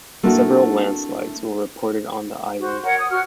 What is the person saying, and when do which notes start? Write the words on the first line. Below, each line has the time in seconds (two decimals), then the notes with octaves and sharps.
Several landslides were reported on the island.
0.23 A3 A#3 C4 D4 E4 F#4
2.59 F#4 C5
2.82 A#4 C#5 F#5
2.97 D#6
3.09 F#4 F#5 F6